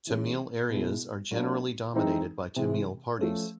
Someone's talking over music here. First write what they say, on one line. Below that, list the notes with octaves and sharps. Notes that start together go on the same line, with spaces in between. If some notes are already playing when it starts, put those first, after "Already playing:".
Tamil areas are generally dominated by Tamil parties.
E3 G#3 C#4
B2 G#3 B3 E4
F#3 A#3 D4
E3 G#3 C4 D#4
C3 E3 G#3
F3 A3 C#4